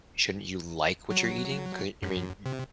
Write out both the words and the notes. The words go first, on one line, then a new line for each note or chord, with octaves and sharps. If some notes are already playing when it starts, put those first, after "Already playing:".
shouldn't you like what you're eating? 'Cau I mean, y
F#3
F#2
C3